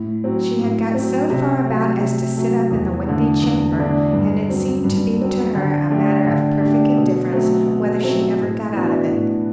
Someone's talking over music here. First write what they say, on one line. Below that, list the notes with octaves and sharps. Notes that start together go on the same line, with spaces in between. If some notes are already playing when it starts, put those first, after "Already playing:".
She had got so far about as to sit up in the windy chamber; and it seemed to be to her a matter of perfect indifference whether she ever got out of it.
Already playing: A2
F#3 C4
A2
C4
F#3
C3
F#3 A3
C3
F#3 A3
E2
D3 A3 D4
E2
D3 A3 D4
G2
F#3 C4
G2
F#3 C4
D3
A3 D4 G4
D3
A3 D4 G4
B2
F#3 A3 C4
B2
F#3 A3 C4
A2
E3 B3 D4 F#4
A2